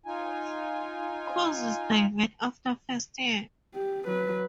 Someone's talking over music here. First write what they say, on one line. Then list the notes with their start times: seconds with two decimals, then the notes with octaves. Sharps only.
Courses divert after first year.
0.06 D#4 F4 G#5
3.75 G4
4.07 F#3 B4